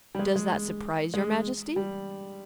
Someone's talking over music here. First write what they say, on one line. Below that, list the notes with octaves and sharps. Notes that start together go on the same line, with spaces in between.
"Does that surprise your Majesty?"
G3
G#3
G#3
G#3
G3